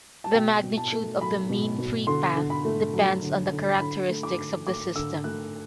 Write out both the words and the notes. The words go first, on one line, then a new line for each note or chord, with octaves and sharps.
The magnitude of the mean free path depends on the characteristics of the system.
A5
B2 G5
B2
A5
A3
F#3 B5
B2
B2
D3 C6
D3
B5
A3
F#3
D3
D3
D3 B5
A3
D6
D3
A3 D6
D3 E6
A3 F#6